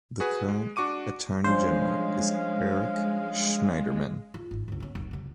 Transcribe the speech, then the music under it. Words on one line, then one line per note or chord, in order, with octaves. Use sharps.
The current Attorney General is Eric Schneiderman.
F#4 G#4 B4
G#3
D4 F#4 C#6 D6 D#7
F3 G3 G#3 C#4 D4 C5 F5
F3 F4
G#1
G1 C#2
B3 C#4
F1 B1
C#2 C3